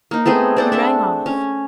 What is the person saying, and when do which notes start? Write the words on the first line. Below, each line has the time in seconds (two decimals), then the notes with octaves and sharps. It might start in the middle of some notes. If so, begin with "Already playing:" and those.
He rang off.
0.11 A#3 D#4
0.26 A3 B3 C4 G#4
0.57 C4 D5 F#5
0.72 D4 E5 F#5
1.26 C#4